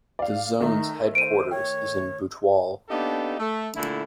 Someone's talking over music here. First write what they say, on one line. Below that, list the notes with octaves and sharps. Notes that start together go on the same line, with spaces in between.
The zone's headquarters is Butwal.
D5 F5
D#3 A3 D#4
C5 D7 D#7
C#5 G5
A#3 B3 D4 D#4 G4 A4
A3
A#2 D3 A3 E4